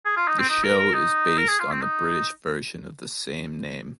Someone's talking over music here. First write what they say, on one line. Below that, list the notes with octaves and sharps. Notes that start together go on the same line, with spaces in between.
The show is based on the British version of the same name.
G#4
F4
D#4
C4
D#4
A#4
A#4
D#4
A#4
G#4
F4
C4
D#4